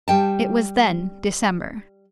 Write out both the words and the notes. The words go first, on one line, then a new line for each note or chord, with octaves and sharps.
It was then December.
G3 G5 A5